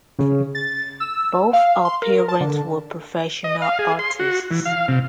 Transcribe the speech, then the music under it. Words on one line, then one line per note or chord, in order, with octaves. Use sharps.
Both her parents were professional artists.
C#3
A6
E6
F5
C6
A#4
A5
D3
D#5
F5
G#4
C6
F#4
E3
F5
C3